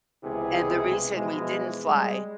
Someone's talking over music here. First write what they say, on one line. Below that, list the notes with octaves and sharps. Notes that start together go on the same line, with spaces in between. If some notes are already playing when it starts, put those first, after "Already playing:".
and the reason we didn't fly
C#2 C3 E3 B3 E4 G#4
B2 E3 F3 G#3
G3 G#3